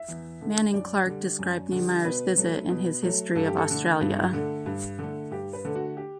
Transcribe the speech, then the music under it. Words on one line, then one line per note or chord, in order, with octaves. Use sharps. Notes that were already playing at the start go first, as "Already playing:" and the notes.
Manning Clark described Niemeyer's visit in his history of Australia.
Already playing: E5
E2
D3 A3
F#2 D5
D3 G3
F#2
D3 G3
B2 B4
F#3 A3
B2
F#3 A3
G2 A4
G4
A4
D3 A3
G2
D3 A3
G2
D3 A3
G2 G4
B4
D3 A3
F#4
G4